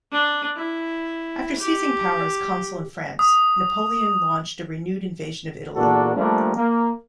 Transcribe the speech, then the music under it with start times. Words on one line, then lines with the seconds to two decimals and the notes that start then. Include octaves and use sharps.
After seizing power as consul in France, Napoleon launched a renewed invasion of Italy.
0.12 D4
0.57 E4
1.59 G4
3.19 D#6
5.75 E2 A#2 A#3 D4 F#4 A4
6.15 F3 G3 A3 A#3 D4
6.57 A#3